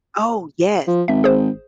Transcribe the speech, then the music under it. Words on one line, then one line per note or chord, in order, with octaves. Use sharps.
Oh, yes.
F3
G#1 E5
G#4 C5